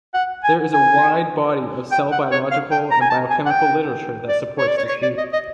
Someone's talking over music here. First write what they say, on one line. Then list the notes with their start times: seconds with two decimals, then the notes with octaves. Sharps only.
There is a wide body of cell-biological and biochemical literature that supports this view.
0.14 F#5
0.44 G#5
0.73 G#5
1.92 G5
2.12 F#5
2.32 C#5
2.51 F5
2.71 G5
2.91 A#5
3.02 G#5
3.10 A5
3.30 G#5
3.46 F#5
3.50 G5
4.29 D5
4.58 C#5
4.67 D5
4.77 C#5
4.88 C#5
5.02 D5
5.18 D#5
5.33 D#5